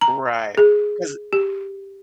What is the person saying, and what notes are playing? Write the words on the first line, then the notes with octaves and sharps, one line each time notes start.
Right. 'Cause
A#5
G#4
G4